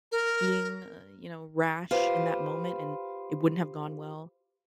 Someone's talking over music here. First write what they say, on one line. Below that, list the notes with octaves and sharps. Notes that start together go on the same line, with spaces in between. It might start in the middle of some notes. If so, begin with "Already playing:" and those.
being, uh, you know, rash in that moment, and it wouldn't have gone well.
A#4
F4 G4 B4 C5